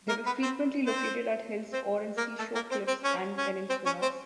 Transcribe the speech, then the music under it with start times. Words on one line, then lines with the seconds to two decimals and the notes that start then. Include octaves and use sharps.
They were frequently located at hills, or in seashore cliffs and peninsulas.
0.09 A#3 A#4
0.26 B3 B4
0.42 C4 C5
0.86 C4 C5
1.73 C4 C5
2.17 A#3 A#4
2.38 A3 A4
2.55 A#3 A#4
2.71 C4 C5
2.87 C4 C5
3.04 C#4 C#5
3.37 C#4 C#5
3.69 C4 C5
3.85 C#4 C#5
4.02 C4 C5